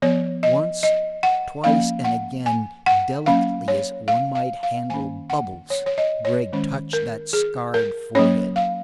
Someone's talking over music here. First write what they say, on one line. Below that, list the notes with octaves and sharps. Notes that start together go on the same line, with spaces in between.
Once, twice and again, delicately as one might handle bubbles, Gregg touched that scarred forehead.
F3 B3 C#5
D#5
D#5
F#5
F3 A#3 C#4 F5
F#5
G#5
F#5
F#3 A#3 C#4 F5
C#5
F5
F5
F5
D#3 A#3 C#4 G#5
F#5
C#5
C#5
D#5
C#5
D#3 G#3 C#4
A#4
G#4
A#4
F#3 A#3 C#4 C#5
F5